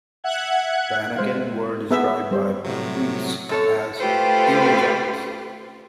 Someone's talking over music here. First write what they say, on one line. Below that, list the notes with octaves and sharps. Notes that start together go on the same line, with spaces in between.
The Anakim were described by priests as evil giants.
E5 F#5 F#6 G#6
G#3 C5 F5
B3 G#4 B4 E5
G3 C5
A2 C3 F#3
F#2 A4 C#5
A3 F4 G4 A4 B4 C5